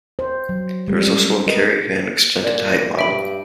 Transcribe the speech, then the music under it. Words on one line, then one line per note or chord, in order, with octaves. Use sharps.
There was also a Kary Van extended height model.
C5
F#3
G3 G#3 C4
C#4
A#4 B4 D#5
A#2 D5
G2 E5 B5 D7